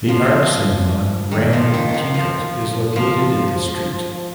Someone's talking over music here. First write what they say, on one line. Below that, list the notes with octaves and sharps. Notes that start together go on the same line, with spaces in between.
The art cinema Grand Teatret is located in the street.
F3
D#3
F3
D#3
D#3
F3
F3
F3